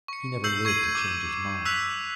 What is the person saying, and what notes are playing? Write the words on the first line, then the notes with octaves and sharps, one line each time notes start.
He never lived to change his mind.
C#6 C#7
C#6 E6 G6 C7 F#7
C#6 G#6 C7 D#7 F#7
D6 E6
E6 F#6 B6 F7